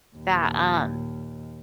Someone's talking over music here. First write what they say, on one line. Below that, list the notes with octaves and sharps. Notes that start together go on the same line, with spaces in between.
that, um
D#2 A#2